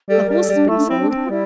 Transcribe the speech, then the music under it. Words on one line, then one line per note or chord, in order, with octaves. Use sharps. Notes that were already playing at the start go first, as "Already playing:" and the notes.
The horse has been sold.
G3 A4
G3 A#4
A4
G3
D4
A3 E4
D4
C4 E4
D4
C4
D4
F4
G3 E4